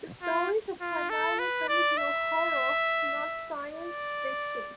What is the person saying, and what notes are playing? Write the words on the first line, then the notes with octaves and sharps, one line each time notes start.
The stories are primarily fantasy or horror, not science-fiction.
F4
F4
A4
B4
D5
E5
D5